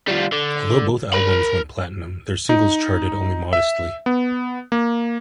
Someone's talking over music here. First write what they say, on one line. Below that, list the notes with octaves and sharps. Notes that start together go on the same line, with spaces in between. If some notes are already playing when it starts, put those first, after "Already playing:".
Although both albums went platinum, their singles charted only modestly.
G3 F4
D3
A#4 B5
D#4
E5
B3
A#3